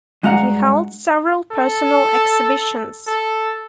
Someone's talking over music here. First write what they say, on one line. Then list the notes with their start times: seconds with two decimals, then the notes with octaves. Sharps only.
He held several personal exhibitions.
0.23 G2 G#3 F#4 F5 F#5 A#5
1.52 A4
3.07 A4